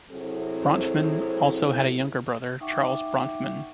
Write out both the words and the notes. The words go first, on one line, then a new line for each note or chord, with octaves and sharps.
Bronfman also had a younger brother, Charles Bronfman.
C3 F#3 C4 E4 G#4 A4
D#4 E5 F#5 G5 C#6 D6